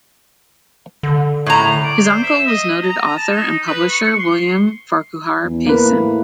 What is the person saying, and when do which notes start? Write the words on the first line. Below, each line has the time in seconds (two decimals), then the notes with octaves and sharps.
His uncle was noted author and publisher William Farquhar Payson.
1.03 D3
1.46 A2 A#5
1.83 D5
2.03 C5
2.23 E5
2.47 D#5
2.83 A#5
3.17 A5
3.32 D#4
3.67 B4
3.89 C#6
4.19 C6
5.45 E2
5.67 A#3 B4
5.85 A2